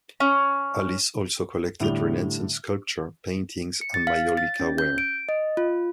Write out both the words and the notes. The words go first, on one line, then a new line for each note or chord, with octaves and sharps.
Alice also collected Renaissance sculpture, paintings and maiolica ware.
C#4
A2 D3 G3 F7 G7
C#7
A6
F5
A6
C#4
G6
D7
D#5
F4